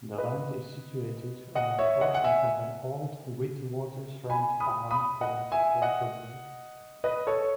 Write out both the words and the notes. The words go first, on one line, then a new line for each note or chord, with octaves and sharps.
The land is situated on a portion of an old Witwatersrand farm called "Waterval".
B4 D#5
D#5 F#5
C#5 E5
D#5 F#5
F#5
E5 G#5
G#5 B5
B5 D#6
B5 D#6
D#5 F#5
E5 G#5
D#5 F#5
B4 D#5
A4 C#5